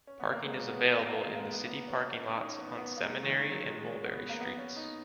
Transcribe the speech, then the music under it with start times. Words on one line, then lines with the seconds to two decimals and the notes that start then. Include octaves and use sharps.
Parking is available in the city parking lots on Seminary and Mulberry Streets.
0.07 C#4
0.20 B3
0.32 A#3
0.43 G#3
0.55 C#4
0.67 B3
0.79 B3
0.97 A#3
1.15 A#3
1.27 G#3
1.35 A#3
1.40 G#3
1.52 B3
1.65 A#3
1.69 B3
1.88 C#4
2.00 C#4
2.12 C#4
2.24 C#4
2.36 D#4
2.47 C#4
2.61 B3
2.78 B3
2.97 A#3
3.05 G#3
3.23 D#3
3.51 F#3
3.69 G#3
3.87 C#4
4.05 B3
4.17 B3
4.29 A#3
4.40 B3
4.54 B3
4.58 C#4
4.76 D#4